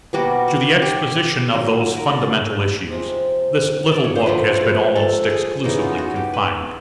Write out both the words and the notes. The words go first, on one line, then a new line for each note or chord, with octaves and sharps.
To the exposition of those fundamental issues this little book has been almost exclusively confined.
B2 G3 A#3 F#4
F#4
G4
D#3 F#3 A#3
A#4
A4
G#4
C3 F3 G#3
D5
C#5
C5
D3 F3 A3 B4
B4
A4
G#4
C#3 E3 G#3 B3 D#4
F4
F#4
G4
B4